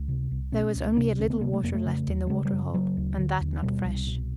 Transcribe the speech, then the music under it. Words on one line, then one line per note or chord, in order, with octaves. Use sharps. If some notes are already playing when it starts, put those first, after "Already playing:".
There was only a little water left in the water-hole, and that not fresh.
Already playing: C#2
C3
C2
B2 C#4
C#2
C3 D4
D2 C#4
B3
C3 A#3
A3
F2 A#3
A3
C#3
D#2
G3
C#3 G#3
G3
F#2
C#3 F#3
D2
D3
D#2
B2 G3
C2
B2